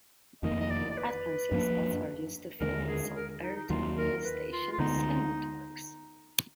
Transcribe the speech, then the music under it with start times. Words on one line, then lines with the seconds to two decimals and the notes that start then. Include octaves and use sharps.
Ad Council spots are used to fill unsold air time by stations and networks.
0.42 F1 F2 D#3 A#3 D#5
0.60 D#5
0.71 D5
0.91 D5
0.97 B4
1.52 F#2 F3 A#3 D4
2.61 D#2 D3 G#3 A#4
2.88 G#4
3.16 A#4
3.43 D#4
3.56 D#4
3.70 D#2 D#3 F#3 A#3 F4
3.97 A#4
4.25 B4
4.52 F4
4.72 F4
4.79 D2 D3 G#3 B3 D#4